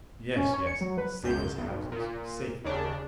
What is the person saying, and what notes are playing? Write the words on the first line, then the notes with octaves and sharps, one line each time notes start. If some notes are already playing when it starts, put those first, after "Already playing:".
"Yes, yes, yes; safe as houses--safer."
C#4
C#5
C#7
F#3
B4
C#2 F#2 G6
B1
A#2
D#2 C#3 D4